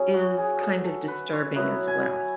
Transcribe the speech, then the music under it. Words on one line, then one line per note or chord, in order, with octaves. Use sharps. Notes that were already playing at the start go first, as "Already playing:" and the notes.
is kind of disturbing as well.
Already playing: F#3 C#4 E4 G#4
F#4
G#4
A4
A4
B4
C#5
F#3 B3 E4 F#5
G#5